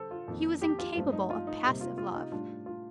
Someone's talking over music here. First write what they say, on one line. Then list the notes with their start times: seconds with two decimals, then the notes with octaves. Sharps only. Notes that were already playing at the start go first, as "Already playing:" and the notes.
He was incapable of passive love.
Already playing: D3 G3 A4 C5
0.11 F4
0.28 F2 D#3 A#3
0.62 G4
0.79 F4
0.96 G2 F3 A3 C4 F4
1.12 D#4
1.30 F4
1.47 D#4
1.64 C3 G3 A#3 D#4
1.81 F4
1.98 F4
2.15 D#4
2.32 A2 G3 D4 F4
2.66 F4